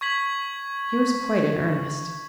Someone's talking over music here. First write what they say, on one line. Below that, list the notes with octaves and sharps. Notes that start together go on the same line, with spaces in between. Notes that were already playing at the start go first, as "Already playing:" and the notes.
"He was quite in earnest."
C#6 G#6 B6 F#7